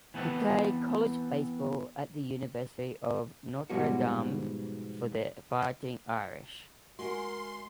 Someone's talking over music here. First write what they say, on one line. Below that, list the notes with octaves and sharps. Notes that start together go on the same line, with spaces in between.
He played college baseball at the University of Notre Dame for the Fighting Irish.
E3 B3 C4 A4 B4
G#2 B2 F3 G3 G#3 F#4
G#3 F#4 A#4 G#5 C6